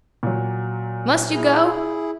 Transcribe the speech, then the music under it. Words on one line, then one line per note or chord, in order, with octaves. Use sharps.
Must you go?
A#2 F#3
E4 G#4